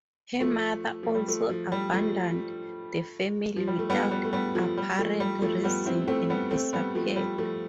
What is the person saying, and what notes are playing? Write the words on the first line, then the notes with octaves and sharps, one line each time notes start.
Her mother also abandoned the family without apparent reason and disappeared.
F3 A3
F3
G3
F3 A3
F3
G3
F3 A3
F3
G3
A3
G3 B3
G3 B3
A3
G3 B3
F3 A3
G3
F3 A3
G3
F3 A3
G3 B3
C4 E4
A3 C4
G3 B3
A3 C4
G3 B3
F3 A3
G3
F3 A3